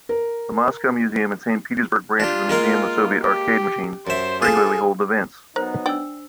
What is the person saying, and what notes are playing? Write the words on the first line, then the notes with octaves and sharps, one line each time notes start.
The Moscow Museum and Saint Petersburg branch of the Museum of Soviet Arcade Machines regularly hold events.
A#4
D4 F4 G4
G#3 A#3 A#4
G4
F#2 C5 E5
F4 G#4 A4
F#3 B3 D#4 A#4 C5
D4 D5 G5 E6